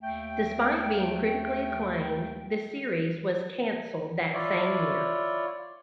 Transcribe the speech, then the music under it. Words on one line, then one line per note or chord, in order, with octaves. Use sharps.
Despite being critically acclaimed, the series was canceled that same year.
D#2 A3 G5
E4 F4 C#5 D5